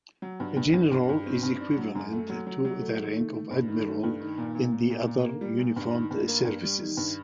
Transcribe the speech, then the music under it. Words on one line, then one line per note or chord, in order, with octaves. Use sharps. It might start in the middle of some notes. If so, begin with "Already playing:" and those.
General is equivalent to the rank of admiral in the other uniformed services.
F#3
G2
G2
G2
G2
G2
C4
G2
D4
F#3
F#2
A3
F#3
F#3
F#3
A3
D#3
A3
A3
G2
D#3
A3
G2
D#3
A#2
A#2
A#2
A#2
A#2
A#3
G3
A#2
G2
D#3
G2
A#3
G2
G3
D#3
G2